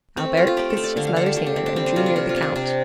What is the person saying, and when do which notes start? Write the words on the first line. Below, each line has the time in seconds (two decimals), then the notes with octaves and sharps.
Albert kissed his mother's hand, and drew near the count.
0.17 A3 C4
0.37 A3 F4
0.47 F4
0.57 A3 G4
0.70 A4
0.77 A3
0.84 D5
0.97 D3 F5
1.07 F5
1.16 D3 A4
1.26 G4
1.36 D3 G4
1.46 D4
1.56 D3 C4
1.66 D4
1.76 G3 C4
1.86 D4
1.96 C3 F4
2.06 D4
2.16 C3 F4
2.29 F4
2.36 C3
2.42 D4
2.55 C3 D4